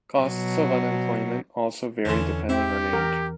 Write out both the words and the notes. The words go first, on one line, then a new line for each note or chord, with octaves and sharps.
Costs of unemployment also vary depending on age.
B2 F#3
E2 D3 E3 C#4 C6
C4 E4 G4
E3 A#4